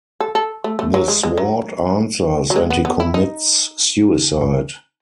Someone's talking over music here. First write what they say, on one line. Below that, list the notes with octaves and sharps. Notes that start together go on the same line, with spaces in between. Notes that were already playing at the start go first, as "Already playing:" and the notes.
The sword answers, and he commits suicide.
A4
A4
A3
A3
F#3
G#3
G#3
F#3
F#3
G#3
B3
B3
E4
D#4